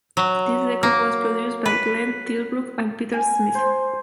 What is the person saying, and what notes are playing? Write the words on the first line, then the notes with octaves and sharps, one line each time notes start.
This record was produced by Glenn Tilbrook and Peter Smith.
F#3
A#3
B4
G#5
C5